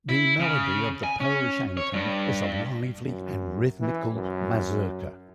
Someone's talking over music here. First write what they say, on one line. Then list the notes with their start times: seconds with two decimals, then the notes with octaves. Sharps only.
The melody of the Polish anthem is a lively and rhythmical mazurka.
0.09 E4
0.39 C#3
1.04 G#5
1.20 C#4
1.77 C#5
1.93 G2
3.05 F#2
3.80 E3
4.14 F#2